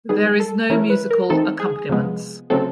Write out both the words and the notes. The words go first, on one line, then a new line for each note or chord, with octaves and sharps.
There is no musical accompaniments.
D#3 G3 B3 G#4
A4
E3 A3 C#4 E4 A#4
B4
A#4
E3 A3 C4 D#4 A4
G#4
C3 F3 G#3 B3
C#3 F#3 A3 C4 A4